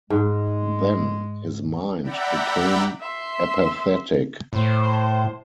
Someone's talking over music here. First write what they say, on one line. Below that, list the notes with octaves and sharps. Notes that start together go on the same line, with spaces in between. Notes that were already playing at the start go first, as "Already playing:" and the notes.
Then his mind became apathetic.
G#2 G#3
D5 E5 F#5 G5 A#5 B5
E5 C6
A2 C5